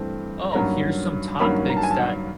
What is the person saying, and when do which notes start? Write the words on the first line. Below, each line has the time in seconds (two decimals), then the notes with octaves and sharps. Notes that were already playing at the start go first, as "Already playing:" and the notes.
"Oh, here's some topics that
Already playing: G2 E3 A3 C4
0.52 G2 D#3 F#3 A#3 C#4 A#5
1.40 G2 D#3 F#3 A#3 C#4 B5
1.69 A#5
1.77 A5
1.83 G#5
1.91 A5
1.98 F#5